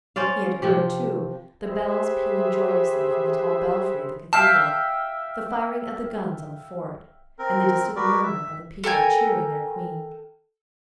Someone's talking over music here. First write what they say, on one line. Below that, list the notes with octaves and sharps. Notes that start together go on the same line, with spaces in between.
He had heard, too, the bells pealing joyously from the tall belfry of the Cathedral, the firing of the guns on the fort, and the distant murmur of the people cheering their Queen.
C#4 C5 D5 F5
C3 F3 G4
G4 G#4 B4 C5 E5
E5 F5 G5 A5
C4 A#4
F#4 A#4 B4 D5
E5
A4 A#4 G5 G#5